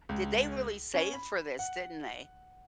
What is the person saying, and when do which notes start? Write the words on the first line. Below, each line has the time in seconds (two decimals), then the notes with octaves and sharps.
did they really save for this, didn't they?
0.09 C#2
0.94 C#4
1.13 B5
1.59 F#5